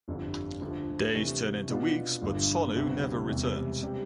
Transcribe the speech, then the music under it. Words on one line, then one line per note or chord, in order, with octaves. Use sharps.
Days turn into weeks but Sonu never returns.
G1 F2 D3 G3 D4
D2 D3 F3
C3 E3 A3 D4
B2 B3 D4 F4
G1 G2 D3 A3 D4
D2 C3 G3 B3
E1 E2 C3 G3
C3 G3 D4 G4